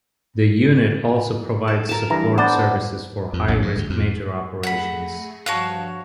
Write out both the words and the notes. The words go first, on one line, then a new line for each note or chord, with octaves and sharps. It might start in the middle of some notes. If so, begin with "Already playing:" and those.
The unit also provides support services for high-risk major operations.
A4
A#4 A5
G2 E3 A#5
B3 D4 C5 D5
F2
A#1
G2
D2
F2
A3 G#4 F#5 B5 A#6
G2 F3 F#4 C#5 F5 A5 F#6